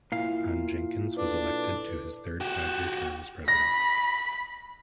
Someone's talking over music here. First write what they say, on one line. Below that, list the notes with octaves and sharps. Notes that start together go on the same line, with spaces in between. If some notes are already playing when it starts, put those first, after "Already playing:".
On Jenkins was elected to his third five-year term as president.
A#2 E4 F5
D4 A4 B4
F#4 G4
B5 A#6